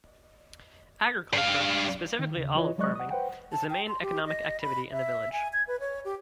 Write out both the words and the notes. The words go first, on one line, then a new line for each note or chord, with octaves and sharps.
Agriculture, specifically olive farming, is the main economic activity in the village.
G2 F5
D#3
D#2 C#3
E3 E4 F4 B4 C#5 D#5
F#3 G#3 D5 D#5 C#6 F#6
F#5 D#6
B4 C5 F#5 G5
A5
G5
C6
G4
D#5
B5
E5
G#5
G#6
B4
C#5
G4